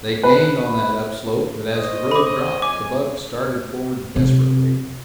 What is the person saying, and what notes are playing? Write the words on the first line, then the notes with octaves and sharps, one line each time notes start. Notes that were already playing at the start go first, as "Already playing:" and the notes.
They gained on that upslope, but as the road dropped, the bug started forward desperately.
B4
C5 C#5 D#5
B5 D6
F2 G#5 D6
C3